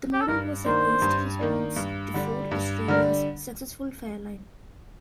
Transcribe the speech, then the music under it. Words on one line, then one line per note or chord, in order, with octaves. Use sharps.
The model was a hasty response to Ford Australia's successful Fairlane.
G4
A4
G2 A#4
D#3 A#3 D4 C5
G2
D#3 A#3 D4
G2
D3 G3 D4
G2
D3 G3 D4 A#4